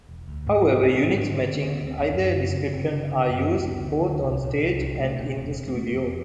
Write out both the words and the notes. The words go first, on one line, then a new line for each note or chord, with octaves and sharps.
However, units matching either description are used both on stage and in the studio.
E1
D2
G#2 A3
A1 C4
B3
A1
D4
G#2
D3 C#4
D3
A3
D2 A#3
D2 B3
C4
G1 C#4
F#2
C#3
C#3
G1 C4
C#3
C#3
F#2
D2 B3
D2
D3
D2
C2
A#2
C2
C2
G#3
B2 A3
F1
E2
B2
A#3
C#3 A3
F2